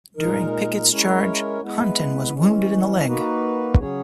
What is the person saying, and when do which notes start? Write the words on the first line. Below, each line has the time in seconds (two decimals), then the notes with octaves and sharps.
During Pickett's Charge, Hunton was wounded in the leg.
0.17 A#2 G#3 D#4 A#4
0.89 G#3 C#4 E4 A#4 C#5
1.62 G#3 B3 E4 B4
2.33 E3 G#3 C#4
3.06 A#3 D#4 F#4 B4
3.77 C#3 F#3 C#4 G#4 C#5